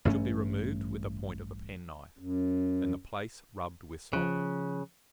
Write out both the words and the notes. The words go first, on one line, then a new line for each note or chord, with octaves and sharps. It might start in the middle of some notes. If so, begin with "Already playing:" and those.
It should be removed with the point of a penknife, and the place rubbed with salt.
A1 G2 A3 C#4
F#2
C#3 F3 F#6